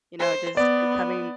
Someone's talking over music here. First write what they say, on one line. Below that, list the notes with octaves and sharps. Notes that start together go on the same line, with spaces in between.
you know just becoming
C5
B3 D5